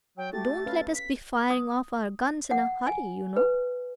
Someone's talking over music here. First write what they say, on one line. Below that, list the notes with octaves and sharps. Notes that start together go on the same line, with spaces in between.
Don't let us be firing off our guns in a hurry, you know.
F#3 G5
A3 F#4 G4 A4 A6
C#4 B4 F5
B6
D#6
F#5
G#5
B4